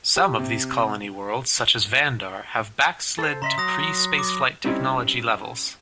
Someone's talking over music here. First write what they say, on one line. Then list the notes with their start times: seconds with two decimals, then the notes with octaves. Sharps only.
Some of these colony worlds, such as Vandar, have backslid to pre-spaceflight technology levels.
0.16 G4
0.39 C3
3.19 A4 C5
3.42 C#3 D#5 E5 A#5 C6
3.58 F#3 A#5 D#6 A#6
4.19 D6
4.64 G3 C4 C#4 D#4 E4